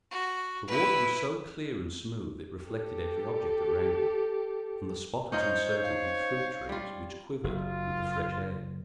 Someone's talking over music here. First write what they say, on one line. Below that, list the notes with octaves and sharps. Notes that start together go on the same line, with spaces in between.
The water was so clear and smooth it reflected every object around, and the spot was encircled with fruit-trees which quivered with the fresh air.
F#4
E4 B4
G4 A4
C#4 D#4 F4 C5 C#5 G6
F5
G3 F4
F#1 F4